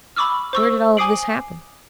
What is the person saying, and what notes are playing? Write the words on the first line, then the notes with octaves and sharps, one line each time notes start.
"Where did all of this happen?"
B5 C#6 D6 E6 F6
C5 C#6 E6
G#5 D6 D#6 C7 D7 F#7